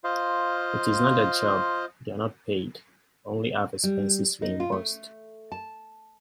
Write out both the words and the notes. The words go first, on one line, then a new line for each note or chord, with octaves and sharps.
It is not their job, they are not paid, only have expenses reimbursed.
F4 C5 D#5 F5
G3
D#4
F4
A3
A5